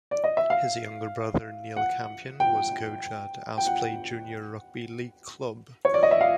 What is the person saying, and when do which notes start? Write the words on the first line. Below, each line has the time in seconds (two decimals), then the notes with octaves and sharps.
His younger brother Neil Campion was a coach at Aspley Junior Rugby League club.
0.11 D5
0.24 D#5
0.37 E5
0.50 F5
1.76 F#5
2.40 G5
3.58 G5
3.67 F#5
5.85 C#5
5.94 D5
6.03 D#5
6.11 E5
6.21 F5